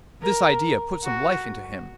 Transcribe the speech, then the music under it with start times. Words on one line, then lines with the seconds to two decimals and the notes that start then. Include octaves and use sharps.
This idea put some life into him.
0.22 A#4
1.04 F#4